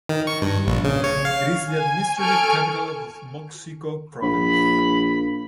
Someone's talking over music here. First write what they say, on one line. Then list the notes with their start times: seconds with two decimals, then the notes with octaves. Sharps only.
It is the administrative capital of Moxico Province.
0.09 D#3
0.27 C#6
0.42 G2
0.67 A#1
0.84 C#3
1.04 C#5
1.25 F5
1.70 G#5
2.21 A4 G#5 C#6 F6 D7
4.23 A#1 B5